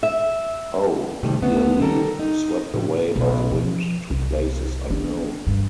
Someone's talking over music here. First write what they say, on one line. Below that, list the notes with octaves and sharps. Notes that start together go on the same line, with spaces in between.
Oh, to be a leaf, swept away by the wind to places unknown!
E5
C3 D#3 G3 A3
D2 D3 A3 B3
D#3 G3 A4 A#4
D#4
A2 C#3 F3
B1
F3
C2
D4
G2